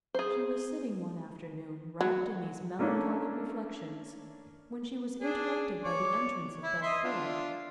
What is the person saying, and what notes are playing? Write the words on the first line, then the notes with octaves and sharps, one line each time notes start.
She was sitting one afternoon, wrapped in these melancholy reflexions, when she was interrupted by the entrance of Belcour.
G#4 C5
F#3
A3 A#3 C#4 D4 E4
D4 G#4
C#5 D5
E4
D#5 E5 C6
D4 F4